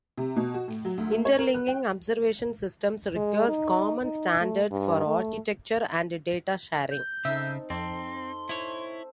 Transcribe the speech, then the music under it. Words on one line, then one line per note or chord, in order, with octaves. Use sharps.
Interlinking observation systems requires common standards for architecture and data sharing.
C3
B2
F#4
A2
F#3
D2
A3
C#5
A#4
F#6
G5
G#3
D#4
D#4
A3
G2
A3
G6
C#3 C4 D#4 A4 E5
F2 C4 A4 C6
E4 C5 C#5